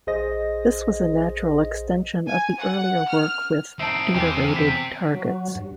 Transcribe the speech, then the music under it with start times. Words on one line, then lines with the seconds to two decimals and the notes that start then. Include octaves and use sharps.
This was a natural extension of the earlier work with deuterated targets.
0.07 A#1 G#4 C5 D#5 A#6
2.27 G#5
2.58 F#5
3.08 F6
3.79 C4 D#4 E5 A5 E6 C7 D7
4.14 E2 C4 G4 G5 A5
4.56 B6
5.14 F#3
5.55 G2